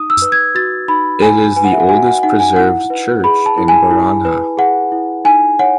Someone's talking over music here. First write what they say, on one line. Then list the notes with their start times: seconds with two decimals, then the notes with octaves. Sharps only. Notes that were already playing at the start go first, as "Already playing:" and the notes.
It is the oldest preserved church in Baranja.
Already playing: D#4 D#6
0.10 E6
0.22 B4
0.32 G#6
0.55 F#4 A6
0.88 D#4 B5
1.22 D#4 G#5
1.56 B4 G#5
1.65 F#5
1.73 E5
1.80 F#5
1.89 F#4 G#5
2.07 F#5
2.23 D#4 F#5
2.40 G#5
2.56 E4 F#5
2.90 B4
3.24 G#4 B5
3.46 A5
3.58 E4
3.68 G#5
3.91 E4
4.25 B4
4.57 G#4 F#5
4.92 E4
5.25 D#4 G#5
5.59 C#5 F#5